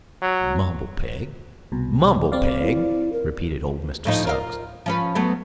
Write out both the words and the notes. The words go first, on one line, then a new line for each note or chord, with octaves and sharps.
"Mumble-peg! mumble-peg!" repeated old Mr. Suggs.
F#3
C2 B2
C4 D5 F5
E4
A#4
A2 F3 D#4
F4 A#4 F5
F3 C#4 B4
F#3 A3 B3